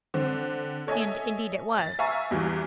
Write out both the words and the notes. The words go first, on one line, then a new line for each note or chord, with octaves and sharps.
And indeed it was.
D3 C4
A4 C#5 D#5 E5 G#5
A6
E5 F5 G#5 A#5 C#6 E6
E2 G2 E3